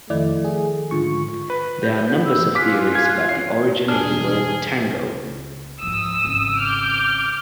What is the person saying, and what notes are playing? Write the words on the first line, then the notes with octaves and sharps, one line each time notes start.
There are numbers of theories about the origin of the word "tango".
F2 D#3 F3 A3 E4 D5
G#4
G#2 D3 F4 C#6
B4
G6
E6
F4 G#4 D6 F6 F#6 B6
G#6
C#5 C7
E2 B2 D4 G#4 F6
C#2
G#2 F3 D#6 E6
G#1 C#3
D6 F6 G6